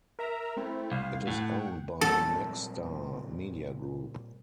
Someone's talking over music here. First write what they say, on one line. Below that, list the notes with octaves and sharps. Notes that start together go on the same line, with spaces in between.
It is owned by Nexstar Media Group.
A#4 E5 A#5
A3 C4 E4
C2 F5
A2 F#5 G5
A#2 G3 C4 A4